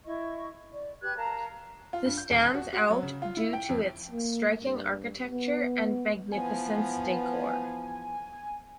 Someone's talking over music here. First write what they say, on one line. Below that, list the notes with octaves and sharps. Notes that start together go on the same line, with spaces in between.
The stands out due to its striking architecture and magnificence decor.
E4 D#5 C#6
D5
G4 B4 F#6 G#6
A#4 F5 A5 A#5
F4
G2
G6
D#1
F#4
F#4
F#3
C#3
F4
E4
G5
F2
A#3
G2
B3
E3 F3 B3 G#5